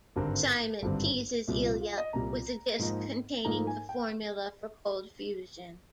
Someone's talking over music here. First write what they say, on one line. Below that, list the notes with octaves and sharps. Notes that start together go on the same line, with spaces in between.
Simon teases Ilya with the disc containing the formula for cold fusion.
G#1 G2 D3 G3 C4 A#4
G#1 G2 D3 G3 C4
C2 A#2 G3
F4
F4
D#5
C2 A#2 G3 A#5
G#2 F3 A#3 D#4
G#2 F3 A#3 D#4 A#5
G#5
G5